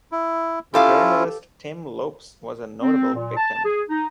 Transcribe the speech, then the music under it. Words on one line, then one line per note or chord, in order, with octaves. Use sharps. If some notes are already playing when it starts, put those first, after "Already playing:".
Journalist Tim Lopes was a notable victim.
E4
C#4 E4 F4 G4 A4 F5
C4
A#2
A5
G#4
D#4